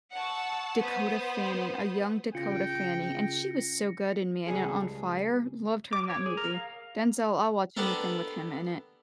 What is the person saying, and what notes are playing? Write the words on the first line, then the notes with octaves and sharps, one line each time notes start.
Dakota Fanning, a young Dakota Fanning, and she was so good in Man uh, On Fire, loved her in that movie, Denzel, I'll watch anything with him in it,
F#5 A5 C#6 E6
B3 C5 D#6
C#3 F4 G5 A#6 C#7
C#2 G3 G#4 A4
D6
C#5
G#4
A#4
F5
B3 D4 G4 A4 A#4